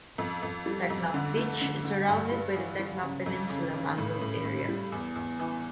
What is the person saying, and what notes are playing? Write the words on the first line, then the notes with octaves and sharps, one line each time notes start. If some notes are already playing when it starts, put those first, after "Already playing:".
Teknaf beach is surrounded by the Teknaf peninsula mangrove area.
F2
F2
G3
F2
D3
A3
D3
D3
G2
G3
E3
G3
C#3
F2
C#3
C#3
A2
A2
A2
G3
E2
E2
E3